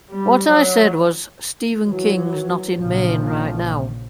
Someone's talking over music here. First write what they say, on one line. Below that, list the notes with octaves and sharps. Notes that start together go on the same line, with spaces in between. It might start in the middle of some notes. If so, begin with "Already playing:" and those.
What I said was, Stephen King's not in Maine right now.
G3
F#3
E3 F#3
A#1 C#3 F3